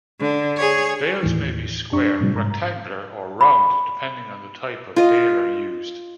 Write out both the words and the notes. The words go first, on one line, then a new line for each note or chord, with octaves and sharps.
Bales may be square, rectangular, or round, depending on the type of baler used.
D3
G#4 C#5
D#2 A2 D#3 E3
F#2 D4 C#6
A2 C3 F3 G3
G#2 A#5
B5
F4 D#5